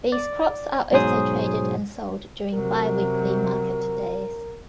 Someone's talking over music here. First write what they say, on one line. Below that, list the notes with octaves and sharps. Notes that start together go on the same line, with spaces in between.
These crops are also traded and sold during bi-weekly market days.
D5
G#2 B2 F#3 G#4 C5 D#6
C3 F#3 A#4